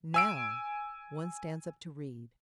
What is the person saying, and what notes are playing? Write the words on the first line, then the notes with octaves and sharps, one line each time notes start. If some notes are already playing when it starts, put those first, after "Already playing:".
Now One stands up to read.
G#5 E6 D7